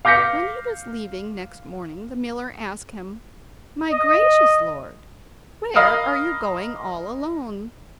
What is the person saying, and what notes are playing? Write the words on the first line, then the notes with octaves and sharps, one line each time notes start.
When he was leaving next morning the miller asked him: 'My gracious lord, where are you going all alone?'
F5 D6 G6 A#6 B6 C#7
D#5
A#4 D#5 F5 B5 D#6 F6